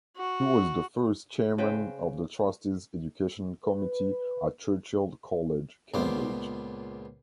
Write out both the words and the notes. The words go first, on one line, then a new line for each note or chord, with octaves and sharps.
He was the first chairman of the Trustee's education committee at Churchill College, Cambridge.
F#4
C#3 B4 C5 G5
B4
C#2 A#2 B3 C5 D6